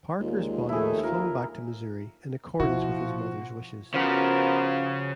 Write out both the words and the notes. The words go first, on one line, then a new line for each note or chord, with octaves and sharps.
Parker's body was flown back to Missouri, in accordance with his mother's wishes.
D#2 A#2 G#3 F4
D#3 F3 A3 E4 G#4
F4 A#4
B2 F3 E4 F#4
C#3 F3 B3 C#4 F4 F#4 A#4 D6